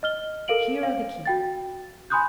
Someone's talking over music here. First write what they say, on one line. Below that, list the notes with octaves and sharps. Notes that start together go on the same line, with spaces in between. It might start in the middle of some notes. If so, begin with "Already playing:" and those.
Here are the keys.
D#5 F6 G7
A4 A#4 F5 D7 F#7
F5
F#4 G5 A6
G#5 B5 C6 D#6 F#6 G6